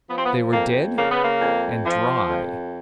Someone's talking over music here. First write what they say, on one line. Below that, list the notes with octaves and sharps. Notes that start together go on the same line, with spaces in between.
They were dead and dry.
F3 B3
C4
B3
F2 A#3
C#3 A#3
B3
A#3
F2
F3
F2